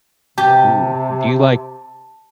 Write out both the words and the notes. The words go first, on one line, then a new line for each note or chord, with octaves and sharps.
Ooh, do you like
C3 G4 A5